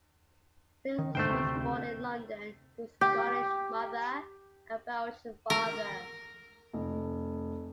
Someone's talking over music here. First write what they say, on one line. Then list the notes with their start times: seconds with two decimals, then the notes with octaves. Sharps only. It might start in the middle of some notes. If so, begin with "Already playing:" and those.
Claes was born in London to a Scottish mother and Belgian father.
0.98 D#3
1.15 D#1 G#2 D3 A3 C5 G5
1.29 D2 C3
3.01 G4
5.50 A#4
6.73 F1